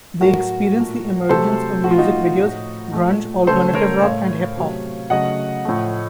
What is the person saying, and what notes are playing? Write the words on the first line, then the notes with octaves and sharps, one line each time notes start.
They experienced the emergence of music videos, grunge, alternative rock and hip hop.
A2 F#3 A3 F#4 A#4
A#2 A3
C3 F#3 A3 A4 C5
A#2 F3 A3 F#4
F4
D#4 F#4
A2 F3 A3
A#2 A3
C#3 A3 A4 C5
A#4 C#5
A2 A3 C#5 F5
C3 F#3 A3
C#3 F#3 A3 D#5 F#5
A2 F3 A3